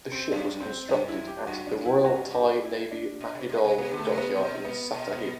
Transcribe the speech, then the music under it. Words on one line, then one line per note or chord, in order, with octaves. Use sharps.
The ship was constructed at the Royal Thai Navy Mahidol Dockyard in Sattahip.
C4
F#2 D4
C4
F#2 D4
E4
G4
F#2 F#4
D4
E4
G2 F#4
G4
E4
D4
B2
C3
B2
C3
C3 B3
D3
A3
C3
B3
B2 C4
B3
B2
B3